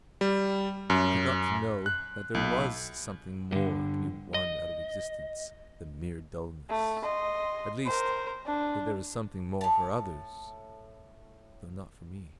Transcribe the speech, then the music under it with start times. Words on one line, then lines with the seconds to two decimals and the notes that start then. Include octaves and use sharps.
I got to know that there was something more to be won out of existence than mere dulness; at least, that there was something more for others, though not for me.
0.21 G3
0.90 F#2
1.86 F#6
2.35 B1
3.52 G2 D3
4.34 D#5
6.69 A3
7.04 D#5 C6
7.86 A#4 C5
8.46 D4
9.61 A2 A5